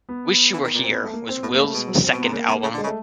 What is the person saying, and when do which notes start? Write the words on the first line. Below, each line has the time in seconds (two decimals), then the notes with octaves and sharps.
"Wish You Were Here" was Wills' second album.
0.09 B3
0.53 E3
0.64 D#3
0.74 A#2
0.84 C4
0.94 B3
1.04 A3
1.13 A#3
1.29 C4
1.43 A2 B3
1.53 A#3
1.58 G#2
1.63 A3
1.73 B2 G#3
1.88 F#3
2.04 C4
2.12 B2
2.18 C3 B3
2.33 C#3 A#3
2.48 C3 A#3
2.63 C#3
2.73 D3
2.78 G#3
2.84 C#3
2.87 A3